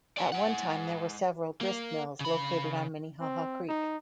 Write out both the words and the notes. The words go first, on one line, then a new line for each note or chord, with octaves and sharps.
At one time there were several grist mills located on Minnehaha Creek.
D5 G#5
G#3 F#5
A#3 A#4
C#3 B5
C4
D#4